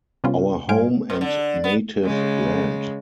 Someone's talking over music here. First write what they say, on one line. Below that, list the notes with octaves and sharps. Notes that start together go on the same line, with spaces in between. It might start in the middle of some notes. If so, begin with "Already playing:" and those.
Our home and native land!
C3 G3 B3 C#4 F4
G#2 G3 C5 F5 G#5 D7
B2
D3
B3
C#3 G#3